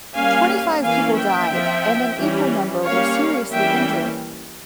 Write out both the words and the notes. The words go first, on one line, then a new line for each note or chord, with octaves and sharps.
Twenty-five people died, and an equal number were seriously injured.
G3 A#3 C#4 F5 G#5
E3 A#3 C#4 F5 G#5
E5 G5
F3 C4
E3 G3 C#4
G3 A#3 C#4 C#5 F5
E3 G3 A#3 C#4 E5 G5